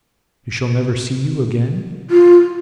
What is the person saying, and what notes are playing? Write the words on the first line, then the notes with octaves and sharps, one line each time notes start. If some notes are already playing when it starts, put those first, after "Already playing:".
"We shall never see you again?"
F4